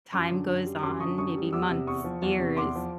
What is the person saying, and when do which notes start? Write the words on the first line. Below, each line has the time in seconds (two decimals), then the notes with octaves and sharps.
time goes on, maybe months, years,
0.12 F#2 C6 D6
0.31 D3
0.48 F#2
0.65 G3
0.83 F#2 C6 D6
1.00 D3 C#6 D#6
1.18 F#2 C#6 D#6
1.36 G3
1.53 E2 D6 E6
1.70 C3
1.87 E2 C#6 D#6
2.04 F3
2.22 E2
2.40 C3
2.57 E2 C6 D6
2.75 F3